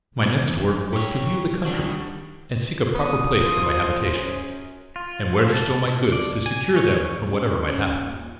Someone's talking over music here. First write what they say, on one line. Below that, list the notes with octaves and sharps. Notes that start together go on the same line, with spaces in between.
My next work was to view the country, and seek a proper place for my habitation, and where to stow my goods to secure them from whatever might happen.
G#2 B2 D4
E2
F#2
G4 C#5
D#3 G3 D4 F#4
B3 C5 D#6
F3
F#2 G#4
F4
A5
D5
G#5
C#5
C#4
C#4
D#2 A#2